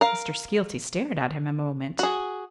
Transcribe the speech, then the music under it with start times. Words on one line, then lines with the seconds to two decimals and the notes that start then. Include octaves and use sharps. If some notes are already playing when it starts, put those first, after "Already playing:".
Mr. Skeelty stared at him a moment.
0.01 A#4 F5
1.99 F#4 G#4